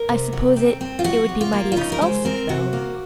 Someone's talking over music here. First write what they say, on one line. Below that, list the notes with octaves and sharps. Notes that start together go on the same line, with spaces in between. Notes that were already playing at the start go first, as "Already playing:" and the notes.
"I s'pose it--it would be mighty expulsive, though."
Already playing: A#4
C3
F#3
C4
C4
F4
F#3 F#4
C3
F4
A#3
F4
C#3 D#4
A#4
G#3 C5
C4 A#4
C3 F#4
A#3